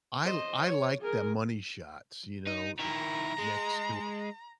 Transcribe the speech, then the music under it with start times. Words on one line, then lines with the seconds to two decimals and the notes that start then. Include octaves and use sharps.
I I like the money shots, you know, eh, next to
0.25 C5 D#5
0.63 C#5
1.02 G#4 A#4
2.47 D#4
2.79 D#3 E4 A#5
3.38 G#3